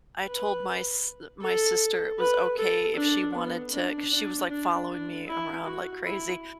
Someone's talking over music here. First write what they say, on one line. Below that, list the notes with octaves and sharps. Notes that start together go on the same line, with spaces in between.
I told my s uh, my sister it was okay if she wanted to 'cause she was like following me around like crazy,
B4
A4
B4
A4
D4
B3
D4
D4
D4
D4
E4
F#4
E4